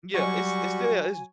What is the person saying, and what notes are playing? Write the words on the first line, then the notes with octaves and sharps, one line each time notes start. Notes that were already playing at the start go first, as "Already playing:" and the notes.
Yeah, it's it's still it's
F#3 G3 F#4 G#5 C#6